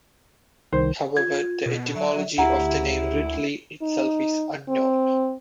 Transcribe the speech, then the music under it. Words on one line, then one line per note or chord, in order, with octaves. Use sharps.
However, the etymology of the name "ridley" itself is unknown.
C2 D#3 C5
F4 G#6
B2
F#3 E5
D2 E4 G4 F#5 A#5
E4
D#4
C4